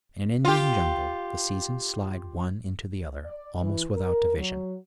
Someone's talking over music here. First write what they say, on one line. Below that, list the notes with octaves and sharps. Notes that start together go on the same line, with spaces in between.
In an Indian Jungle the seasons slide one into the other almost without division.
F4 G4
D5
E3
A#4
F#3